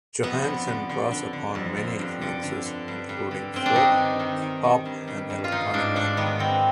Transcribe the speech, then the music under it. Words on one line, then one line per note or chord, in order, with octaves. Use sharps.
Johansen draws upon many influences, including folk, pop, and electronica.
F2 B3
D3
D3
D3
D3
D3
F2
D3
G2
D3
D3
D3
G2
G2
D3
G2 C4
D4
G2 D#4
D#3
D#3
D#3
D#3
G2
G2
G2
F4
G#2 D#4
G#2 D4
G#2 D4
D#3 B3
D#3 C4